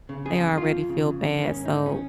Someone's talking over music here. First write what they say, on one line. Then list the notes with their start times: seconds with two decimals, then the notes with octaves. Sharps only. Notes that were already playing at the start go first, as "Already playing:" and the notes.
They already feel bad, so
0.09 C#3
0.25 F2 G#4
0.41 F2
0.57 F2 F4
0.73 F2
0.89 C#3
1.06 F2
1.21 D#3
1.38 D#3
1.43 C#4
1.54 G#2
1.65 D#3 D#4
1.86 D#3 C#4